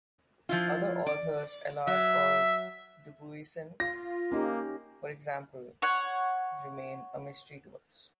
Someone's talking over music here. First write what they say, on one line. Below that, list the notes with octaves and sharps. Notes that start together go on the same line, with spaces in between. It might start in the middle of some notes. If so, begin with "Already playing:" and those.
Other authors, Allard or Dubuisson for example, remain a mystery to us.
F3 E4 F4
D5
F#3 E5
F4 A#6
A#3 C#4 D#4 G4
C#5 F#5